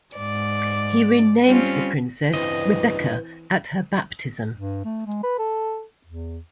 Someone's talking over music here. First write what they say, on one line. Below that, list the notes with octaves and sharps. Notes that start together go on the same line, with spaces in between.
He renamed the princess "Rebecca" at her baptism.
G#2 D5
G3 C4 C#4 F4
C#2 G2 E3 C4 B4 D#5
G2
A3
G#3
B4
A4
E2